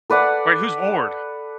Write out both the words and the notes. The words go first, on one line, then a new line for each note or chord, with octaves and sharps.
Wait, who's Ward?
A4 B4 D5 F#5